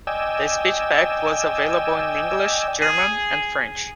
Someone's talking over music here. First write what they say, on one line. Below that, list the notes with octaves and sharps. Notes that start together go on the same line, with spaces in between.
The speech pack was available in English, German and French.
D5 D#5 G5 G#5 E6
G#4